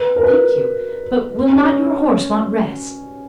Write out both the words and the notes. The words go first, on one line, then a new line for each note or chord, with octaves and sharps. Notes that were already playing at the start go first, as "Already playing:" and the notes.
"Thank you; but will not your horse want rest?"
Already playing: B4
A#4
B4
C#4